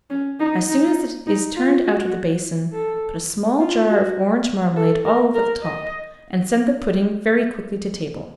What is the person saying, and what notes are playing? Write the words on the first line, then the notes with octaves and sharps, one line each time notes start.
As soon as it is turned out of the basin, put a small jar of orange marmalade all over the top, and send the pudding very quickly to table.
C#4
D#4
D#4
D#4
F4
F#4
A4
F4
F#4
A4
A#4
A#4
D#5